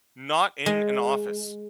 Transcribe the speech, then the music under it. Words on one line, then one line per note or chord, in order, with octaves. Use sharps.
not in an office.
G#3